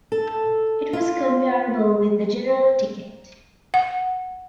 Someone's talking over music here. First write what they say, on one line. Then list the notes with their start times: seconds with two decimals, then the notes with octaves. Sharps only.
It was comparable with the general ticket.
0.12 A4
0.93 F4
3.74 F#5